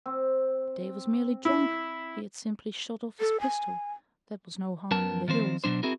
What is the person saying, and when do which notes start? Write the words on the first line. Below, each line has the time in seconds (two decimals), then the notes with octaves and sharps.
Dave was merely drunk, he had simply shot off his pistol--that was no harm in the hills.
0.06 C4
1.45 E4
3.20 A4
3.40 G#5
4.91 F#2 B3 A#4 A5
5.28 D#3 F3 C4 C5
5.64 B2 F#3 D4 C5
5.83 C4 E4 F#4 G#4 A#4